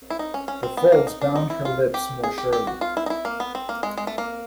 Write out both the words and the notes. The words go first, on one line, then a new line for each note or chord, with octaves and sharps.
The folds bound her lips more surely.
E4
D#4
C#4
C#4
C4
B3
A#3
D#4
D4
D#4
E4
F4
G4
G#4
G4
G4
F#4
F4
E4
D#4
E4
A#3
B3
C4
A#3
G#3
G#3
A3
A#3